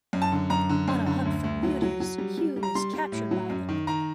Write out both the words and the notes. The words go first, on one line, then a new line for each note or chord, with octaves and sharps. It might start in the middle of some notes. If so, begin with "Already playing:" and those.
On a hunt for muties, Hugh is captured by them.
F#2
A5
D3
F#2 A#5
D3
F#2
D3
D2
D2
F#3
F#3
F#3
G3
G3
G3
A#5
G3 C6
G3
A2
F#3
F#2
D#3
D#3 A#5